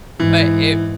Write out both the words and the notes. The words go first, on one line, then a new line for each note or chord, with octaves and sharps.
But it
G#2 E3